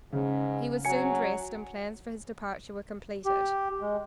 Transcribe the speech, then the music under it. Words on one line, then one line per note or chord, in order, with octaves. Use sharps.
He was soon dressed and plans for his departure were completed.
G#2 C#3
F#3 G#5 C#7
G4
G#3